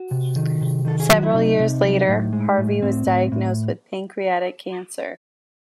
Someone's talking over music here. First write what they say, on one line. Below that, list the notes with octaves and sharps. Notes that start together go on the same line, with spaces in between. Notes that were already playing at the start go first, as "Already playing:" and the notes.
Several years later, Harvey was diagnosed with pancreatic cancer.
Already playing: F#4
C3
D#3
C3
D#3 A4
G#4
F#3 F#4
E4
C3 D#4
C3
F#3
A2
G#3
A2
A2 C4
A2
A2